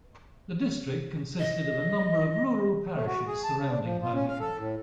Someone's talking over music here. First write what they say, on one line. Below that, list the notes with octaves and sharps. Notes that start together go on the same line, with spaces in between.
The district consisted of a number of rural parishes surrounding High Wycombe.
D#5
A3
F#4
G#4
A5
C#3
D4
F3
F4
C#4
F5
A4
A2